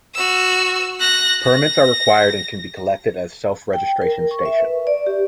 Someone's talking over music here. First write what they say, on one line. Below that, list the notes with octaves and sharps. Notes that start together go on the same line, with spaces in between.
Permits are required and can be collected at a self-registration station.
F#4 E6
F#6 A#6
A#6
G5
A#4
C#6
E5
B4
D5
G4